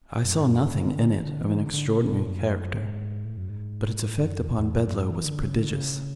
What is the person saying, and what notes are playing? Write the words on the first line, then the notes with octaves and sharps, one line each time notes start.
I saw nothing in it of an extraordinary character, but its effect upon Bedloe was prodigious.
F#2
G#2
F#2
G#2
D3
E3
D3
E3
D3
D3
C#3
B2
B2
F#2
G#2
A2
F#2
G#2
A2
G#2
F#2
E2
E2
F#2
F#2
G#2
E3
D3
C#3
D3
C#3